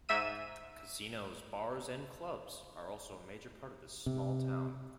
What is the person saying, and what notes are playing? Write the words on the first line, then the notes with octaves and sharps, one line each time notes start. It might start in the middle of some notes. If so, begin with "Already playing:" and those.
Casinos, bars, and clubs are also a major part of this small town.
G#2 E5 E6 D#7
C3